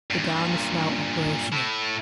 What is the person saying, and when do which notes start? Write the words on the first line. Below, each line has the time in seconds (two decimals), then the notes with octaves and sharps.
The dam is now operational.
0.10 G2 A#2
1.53 A2 E4